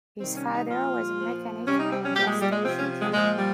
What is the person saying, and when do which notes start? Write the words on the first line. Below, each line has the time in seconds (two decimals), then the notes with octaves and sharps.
His father was a mechanic and a gas station clerk.
0.19 C3 D#3 G3 C4
0.35 C#4
0.52 D#4
0.69 A#2 F3 F4
1.17 A#2 F3
1.66 C3 G3 C#4
1.79 D#4
1.91 C4
2.04 C#4
2.15 A#2 G3 G4
2.27 G#3
2.40 G3
2.51 G#3
2.64 C3 F3 C4
2.77 C#4
3.00 G#3
3.13 A#2 F3 G#3
3.37 G3